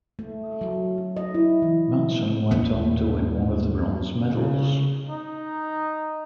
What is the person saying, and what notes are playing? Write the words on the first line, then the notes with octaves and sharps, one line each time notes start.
Mattsson went on to win one of the bronze medals.
A3
F#3
F#3
D#5
E4
E3
D#2 A#2 B3
C#3
D#4